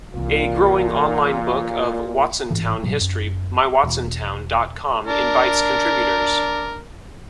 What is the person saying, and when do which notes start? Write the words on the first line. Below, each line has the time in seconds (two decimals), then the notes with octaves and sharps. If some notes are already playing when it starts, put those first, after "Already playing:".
A growing online book of Watsontown history MyWatsontown dot com invites contributors.
0.14 C2 A#2 E3 F4
2.51 A1 G#2 E3
2.83 G#2 B2 F#3 G3
3.01 F#2
3.83 E1
5.07 D4 A#4